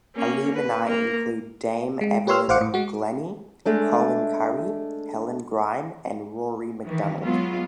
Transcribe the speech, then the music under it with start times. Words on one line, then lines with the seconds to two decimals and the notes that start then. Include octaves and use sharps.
Alumni include Dame Evelyn Glennie, Colin Currie, Helen Grime and Rory Macdonald.
0.15 A#3 C#4
0.53 B4
0.88 A#3 A#4
2.01 G#3
2.27 G4 B4 C#5 C6 E6 F6
2.48 A1 C5 F5 F#5 D6 C#7
2.61 A2
2.74 G#3 F#4
3.65 G#3 A3 D4
6.85 D#3 E3
7.23 F#3 G#3 B3 F4